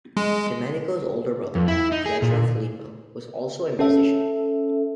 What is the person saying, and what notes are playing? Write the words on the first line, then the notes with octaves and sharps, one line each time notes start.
Domenico's older brother Pietro Filippo was also a musician.
G#3
F2
E4
D#4
G#4
A#2
C#4 A4 E5